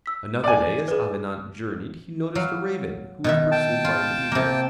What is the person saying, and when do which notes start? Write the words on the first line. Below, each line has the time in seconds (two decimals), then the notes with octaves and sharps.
Another day as Avenant journeyed he noticed a raven who was pursued by an eagle.
0.06 E6 B6
0.44 D5 G#5
0.88 G#4 B4
2.35 F#3 F5
3.24 B2 D#3 E5
3.52 G5 A5
3.85 F4
4.32 C3 A#3